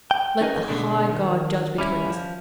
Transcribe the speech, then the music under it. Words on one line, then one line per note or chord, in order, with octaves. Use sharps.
'Let the high God judge between us.
G5
C#4 D#4 G#4 A#4 B4 D#5
B2 D3 G#3 A3 D4
D#3
G3 C#4 E4
F3